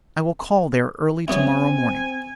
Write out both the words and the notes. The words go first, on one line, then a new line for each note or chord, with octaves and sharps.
I will call there early to-morrow morning.'
F#3 B3 C4 E4 G#5